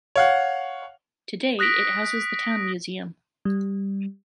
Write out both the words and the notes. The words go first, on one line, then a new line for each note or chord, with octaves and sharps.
Today it houses the Town Museum.
C#5 F5 F#5
D#6 F#6 A#6 B6 D7
G3